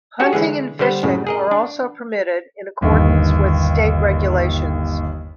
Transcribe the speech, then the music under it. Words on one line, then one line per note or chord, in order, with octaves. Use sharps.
Hunting and fishing are also permitted in accordance with state regulations.
C#4 F#4 G4 A4 C#5
D3 E3 G#3 G#4
D3 G3 B3 C5
F#2 A2 C#3
G#4 A#4 D#5
D4
G1 D#2 D3